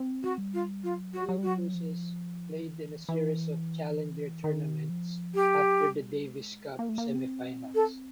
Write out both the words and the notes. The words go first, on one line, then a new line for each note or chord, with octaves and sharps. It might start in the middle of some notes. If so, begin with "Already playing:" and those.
Philippoussis played in a series of Challenger tournaments after the Davis Cup semifinals.
Already playing: C4
F#4
G3
F4
F#3 F4
F#4
F#3
G3
F#3 F#4
F3
E3
E3
D#3
F3
F#3 G4
G3
G#3
B3
A#3
A3
A#3
C4
A4